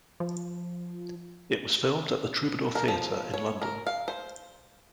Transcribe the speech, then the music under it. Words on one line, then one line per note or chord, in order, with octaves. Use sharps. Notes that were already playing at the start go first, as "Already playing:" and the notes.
It was filmed at the Troubadour Theatre in London.
F3
A#4
F3
C#5
A#4
F5
C5